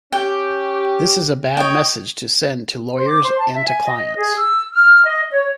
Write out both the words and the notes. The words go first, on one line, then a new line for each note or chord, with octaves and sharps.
This is a bad message to send to lawyers and to clients.
C#4 G4 G5
C#5 D#5 G5
C5
D6
C5
A5
E5
G#5
D#5
G#4
E6
F6
D#5
C#5